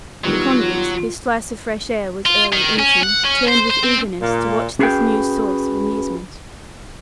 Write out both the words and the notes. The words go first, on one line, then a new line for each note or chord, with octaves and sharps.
The convicts--whose slice of fresh air was nearly eaten--turned with eagerness to watch this new source of amusement.
D#3 F#3 G3 B3 F4
F4
D#3
C#4
F#5
C#4
C5
C5
C4
A#2
C#4 F#4 G#4 B4 F5 G5